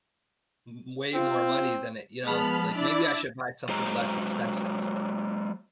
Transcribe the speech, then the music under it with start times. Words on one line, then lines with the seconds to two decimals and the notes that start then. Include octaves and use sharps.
m way more money than it you know? Like, "Maybe I should buy something less expensive."
1.14 C4 F4
2.25 F3 G#3 B3 A5 B5 F6
2.74 D4 E4 D5
3.69 F#3 G#3 C5 D#5 A#5